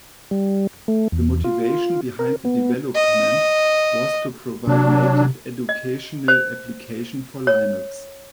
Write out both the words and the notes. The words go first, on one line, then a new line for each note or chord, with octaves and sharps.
The motivation behind the development was to provide native educational application for Linux.
G3
A3
E2
F4
A#4
B3
D#5
C3 F#3 D4
D#5
C5
C#5